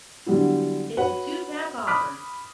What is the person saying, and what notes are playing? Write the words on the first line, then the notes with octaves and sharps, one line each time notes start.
It's a two-pack offer.
D3 F#3 G3 B3 E4
F#4 B4 C#5 F#5
B5 D6 D#6 F6 F#6 B6